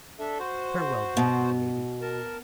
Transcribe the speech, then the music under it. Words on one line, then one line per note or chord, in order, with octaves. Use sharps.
'Farewell, beloved lady!
D4 A4 E5
F#4 C5
B2
A#4 A5